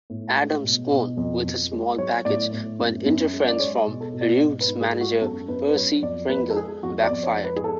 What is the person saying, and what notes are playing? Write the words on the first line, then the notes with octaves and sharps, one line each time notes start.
Adams won with a small package when interference from Rude's manager Percy Pringle backfired.
A2
G#3
B2
B2
F2
F2
G#3
F#3 C#5
A2 D5
A2
F#2
F#2
G#3
D5
G#3 C#5
B2
A4
B2
D5
G#2
B4
G#2
G#4
G#3
F#4
F#2 A4
F#2 B4
B4
F#3 C#5
F2 D5
F2 B4
A4
G#3 G#4
F2 F#4
D5
F2
C#5
G#3
B4
G#4
A4